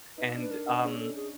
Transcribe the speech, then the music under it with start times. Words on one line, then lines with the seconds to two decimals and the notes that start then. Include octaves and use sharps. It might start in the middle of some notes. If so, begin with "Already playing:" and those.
and, um,
0.17 D#4 B4
0.34 D4
0.40 B4
0.50 D4 A#4
0.67 D4
0.83 C#4 G#4
0.99 A4
1.16 G#4